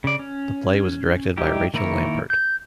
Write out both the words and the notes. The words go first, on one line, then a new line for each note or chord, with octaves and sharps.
The play was directed by Rachel Lampert.
C#3 D5
C#4
G3 D#4 E4 G4
D#3 A#3 E4 A#4 C#5
G6